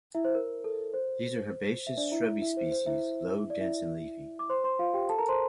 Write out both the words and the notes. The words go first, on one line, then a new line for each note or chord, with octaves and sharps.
These are herbaceous, shrubby species, low, dense and leafy.
E4 E5
C5
A#4
A4
C5
E5
D4 D5
E4 E5
E4 E5
C5
C5
E4 E5
D5
E4 E5
D6
C5 C6
C5 C6
F4 F5
G4 G5
A4 A5
A#4 A#5
C5 C6